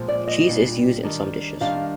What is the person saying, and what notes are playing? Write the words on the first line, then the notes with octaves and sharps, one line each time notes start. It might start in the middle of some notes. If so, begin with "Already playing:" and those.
Cheese is used in some dishes.
Already playing: A#2 F3 G#3 C4
D5
D#5
A#2 G3 D4
D#3 G3 D4
D#3 G3 D4 F5